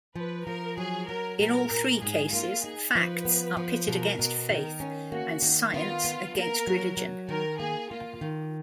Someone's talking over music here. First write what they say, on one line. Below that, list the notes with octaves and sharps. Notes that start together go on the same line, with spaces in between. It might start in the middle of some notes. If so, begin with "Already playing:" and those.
In all three cases, facts are pitted against faith and science against religion.
F3 B4
F3 A#4
F#3 G#4
F#3 A#4
A#2 A#4
A#2
G#2 G#4
A#3 F4
D#4 G#4
F3 B4
B3
F3
B2 A#4
B2
D#3 A#4
C#4
A#3 F#4
D#3
B3 F4
B3
A#3 A#4
F#3
F#3
D#3 A#4
A#3 G#4
A#3 F4
D#3